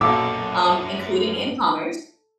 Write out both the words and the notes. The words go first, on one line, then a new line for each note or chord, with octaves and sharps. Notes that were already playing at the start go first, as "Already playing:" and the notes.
um, including in commerce
B1 F#2 A#2 A4 D6 E6